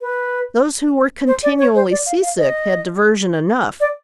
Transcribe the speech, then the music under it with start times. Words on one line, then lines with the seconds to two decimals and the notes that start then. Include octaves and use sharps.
Those who were continually seasick had diversion enough.
0.01 B4
1.27 C5
1.43 D5
1.59 C#5
1.75 C5
1.91 D5
2.06 F5
2.23 F5
2.38 D#5
3.80 D5